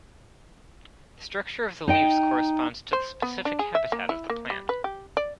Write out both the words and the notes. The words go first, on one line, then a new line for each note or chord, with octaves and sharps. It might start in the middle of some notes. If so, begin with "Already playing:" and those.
The structure of the leaves corresponds to the specific habitat of the plant.
D#4 D#5 G5
C5
B3
D4
G#4
E5
A#3
E4
A#3
G3
B4
G4
D5